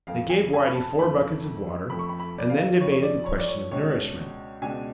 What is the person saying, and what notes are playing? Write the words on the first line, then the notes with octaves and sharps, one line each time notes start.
They gave Whitey four buckets of water, and then debated the question of nourishment.
F2 F3 A3 F5
G#5
G#5
B5
A5
F2 F3 A3 B5
F2 F3 A3 B5
C#6
B5
B5
D5
F5
F2 F3 A3 C#5
C#5
D5
C#5
D5
C#5
C#2 B2 G#3 D4 C#5
C#2 B2 G#3 D4 G#5